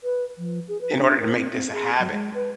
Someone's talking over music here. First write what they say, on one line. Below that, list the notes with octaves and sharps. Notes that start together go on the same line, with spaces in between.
in order to make this a habit.
B4
F3
G#4
B4
D4
A#4
C4
C4
G#4
F#3
G#3
B4